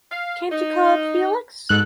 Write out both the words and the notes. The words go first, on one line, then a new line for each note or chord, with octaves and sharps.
Can't you call up Felix?
F5
D#4
G#2 B2 A4 F#6